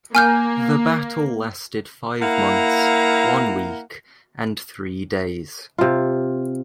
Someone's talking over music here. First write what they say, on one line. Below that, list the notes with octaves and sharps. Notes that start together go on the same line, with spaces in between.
The battle lasted five months, one week, and three days.
A#3 G#5 F6 G6
A#3 E4 F5 F#5 A#5
C3 F4